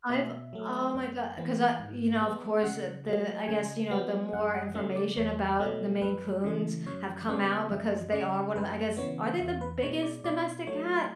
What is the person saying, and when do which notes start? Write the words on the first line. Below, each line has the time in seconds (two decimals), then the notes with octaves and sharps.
I've oh my god, 'cause, a you know, of course, eh, the I guess, you know, the more information about, the Maine Coons, have come out because they are one of the I guess, are they the biggest domestic cat?
0.10 B2 E5
0.53 F#3 A3
0.94 F#2
1.37 E3 B3
1.79 G#2
2.21 G#3 B3
2.63 C#3 F#5
3.06 F#3 A3
3.48 C#3 G#5
3.90 F#3 B3
4.33 F#2 F#5
4.54 F#5
4.74 C#3 F#3 A3 E5
4.96 D5
5.17 E2 C#5
5.60 B2 F#3 A3
6.02 F#2 B4
6.44 C#3 E3 A3
6.86 F#2 C#5
7.29 C#3 G#3 B3 D5
7.70 F#2 E5
8.13 C#3 G#3 D5
8.55 F#2 B4
8.97 C#3 E3 B3 C#5
9.40 E2 E5
9.61 B4
9.83 B2 G#3 C#5
10.03 D5
10.24 B2 D5
10.67 F#3 A3 C#5